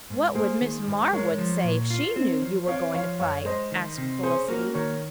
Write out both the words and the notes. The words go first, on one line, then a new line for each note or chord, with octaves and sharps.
"What would Miss Marwood say if she knew you were going to fight?" asked Felicity.
G#2
A#3 G#4 C5
D#3
G#2
G#3 A#4 C#5
F3
A#2
F4
C4
F3
C4 C#5 F5
F3 C#5 F5
F#2 C#5 F5
G#3 C5 D#5
D#3
C3
C#4 G#4 C5
A#3 F#4 A#4
D#3 A#4 C#5